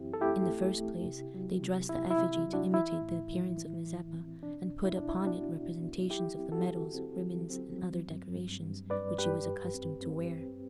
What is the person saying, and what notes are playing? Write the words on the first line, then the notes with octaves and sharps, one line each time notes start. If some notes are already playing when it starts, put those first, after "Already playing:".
In the first place, they dressed the effigy to imitate the appearance of Mazeppa, and put upon it representations of the medals, ribbons, and other decorations which he was accustomed to wear.
Already playing: F#2 E3 C4 E4 G4
A4
A3 E4 G4
A3
A3
C3
F#3
C3
C3 E4
E4
C3
F#3
D4 F#4
E3 E4
A2
E3
E3
E3
C4
B2 D4
B2
E4
B2 D4
E4
B3 D4 F#4
B2
B3
F#3 E4 G4
C4
F#4 A4
D3
C4
F#3
C4
F#3
G2
G2
G2
G2 B4 D5
G2 G4 B4
F#2
C4
C4
C4